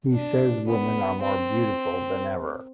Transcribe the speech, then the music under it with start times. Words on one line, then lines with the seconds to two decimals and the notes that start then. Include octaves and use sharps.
He says women are more beautiful than ever.
0.13 D4
0.68 B3
1.23 C4